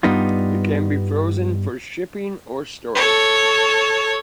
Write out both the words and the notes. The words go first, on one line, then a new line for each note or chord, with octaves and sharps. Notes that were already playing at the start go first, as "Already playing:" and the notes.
It can be frozen for shipping or storage.
G2 G3 B3 D#4 F4
A4 C#5